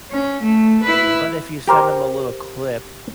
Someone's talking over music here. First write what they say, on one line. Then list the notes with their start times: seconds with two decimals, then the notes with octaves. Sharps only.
uh, but, if you send them a little clip,
0.11 C#4
0.43 A3
0.83 E4 B4
1.67 G4 A#4 C5